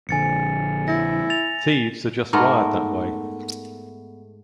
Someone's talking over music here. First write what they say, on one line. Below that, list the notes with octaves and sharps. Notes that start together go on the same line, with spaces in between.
Thieves are just wired that way.
A#1 D3 G#5 A6 C#7
E4 A#6
A6 F7
G#2 A3 B3 A#4